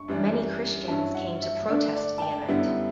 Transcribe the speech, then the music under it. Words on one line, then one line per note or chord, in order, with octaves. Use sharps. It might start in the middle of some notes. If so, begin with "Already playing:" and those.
Many Christians came to protest the event.
Already playing: C#6
F#2 E3 G3 D4
G2 F#3 C#4 E4 A5
F#5
E5
D3 A3 D4 D5
D5
A5
G5
F#2 D3 G3 B3 E4